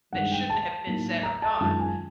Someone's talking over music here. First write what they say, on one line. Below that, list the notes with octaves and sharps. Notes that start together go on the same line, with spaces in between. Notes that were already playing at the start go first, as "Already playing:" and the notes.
that shouldn't have been said or done,
G2 D#3 G#3 F#5
G5
A5
A2 F#3 A#3 D#4
A#5
A5
F#2 D#3 G#3 C#4 F4 A5
G#5